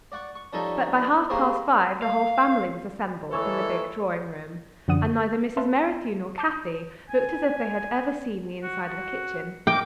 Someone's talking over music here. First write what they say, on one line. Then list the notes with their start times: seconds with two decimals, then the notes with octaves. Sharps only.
But by half-past five the whole family was assembled in the big drawing-room, and neither Mrs. Merrithew nor Kathie looked as if they had ever seen the inside of a kitchen.
0.12 D5 F#5 C#6
0.36 C#6
0.53 F3 G3 C#4 D#4 A4 E5
1.30 A#3 G4 G#4 C5 C#5
2.02 F5
3.33 E3 G#3 A#3 A4 C#5 E6
4.88 F#2 D3 F3 F#5 D#6 D#7
5.57 B4 E5 F5 A5 C6
6.38 A5 D6 G6
7.09 G#5
8.63 F#4
8.82 F#4
9.67 A#4 G5 D6